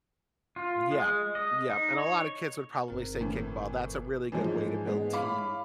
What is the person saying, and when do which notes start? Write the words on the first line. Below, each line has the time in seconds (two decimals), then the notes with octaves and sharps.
Yep. Yep, and a lotta kids would probably say kickball, that's a really good way to build team,
0.56 F4
0.91 G#3
1.35 D#5
1.69 D#4
1.98 C#5
2.88 G1 C4 A#4
3.21 A2 E3
4.32 G#2 E3 F3 G#3 C#4
4.85 G#3 B3
5.13 E4 C#5 F5 B5 D6